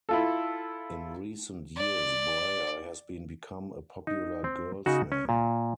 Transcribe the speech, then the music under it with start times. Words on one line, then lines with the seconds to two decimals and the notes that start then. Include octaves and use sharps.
In recent years Bryher has been become a popular girl's name.
0.09 E4 F4 A4
1.77 D5
4.07 D#4
4.44 C4
4.86 C#3 D#4 F#4
5.12 C#4
5.29 A#2